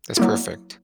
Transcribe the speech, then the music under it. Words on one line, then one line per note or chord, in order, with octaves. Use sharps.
That's perfect.
F#3 A#3 E4